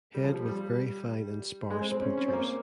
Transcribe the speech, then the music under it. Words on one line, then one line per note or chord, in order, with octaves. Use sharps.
Head with very fine and sparse punctures.
G3
F3
G3
G3
G#3
C4
C4
C#4
C#4
C4
A#3